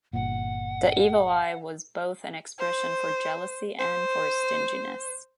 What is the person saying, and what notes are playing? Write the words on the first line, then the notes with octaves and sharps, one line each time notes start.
The evil eye was both an expression for jealousy and for stinginess.
G1 A#2 F#5
C5
C5